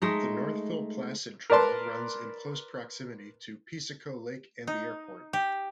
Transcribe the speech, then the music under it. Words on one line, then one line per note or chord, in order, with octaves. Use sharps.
The Northville-Placid Trail runs in close proximity to Piseco Lake and the airport.
G#3 A3 D#4
A#4 B4 D5 A5 C6
D#4
G4